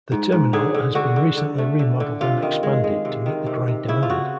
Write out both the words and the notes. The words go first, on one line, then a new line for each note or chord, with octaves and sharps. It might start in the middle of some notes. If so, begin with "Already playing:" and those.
The terminal has been recently remodeled and expanded to meet the growing demand.
G#2
G#2
D3 G#4
D3
D3 F#4
D3
D3
A3
D3
D3
C3 F4
D#3
G#3
G#3
C3
D#3
C3
C3
C#3 E4
F4
C#3 F#4